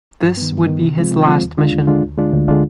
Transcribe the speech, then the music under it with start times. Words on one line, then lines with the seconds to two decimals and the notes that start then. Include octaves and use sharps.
This would be his last mission.
0.23 G2
0.37 D#3 B3
0.52 G2
0.67 D#3 B3
0.83 C3
0.97 F3 G#3 C4 F4
1.13 C3
1.27 F3 G#3 C4 F4
1.43 D#2
1.57 D3 G#3 D4 F4
1.73 D#2
1.87 D3 G#3 D4 F4
2.02 D2
2.18 D3 G#3 D4 F4
2.33 D2
2.48 D3 G#3 D4 F4